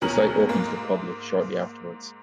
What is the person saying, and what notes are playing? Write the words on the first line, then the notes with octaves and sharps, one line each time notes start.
The site opened to the public shortly afterwards.
D2 B2 C#4 A#4 F#7
G#2 A#3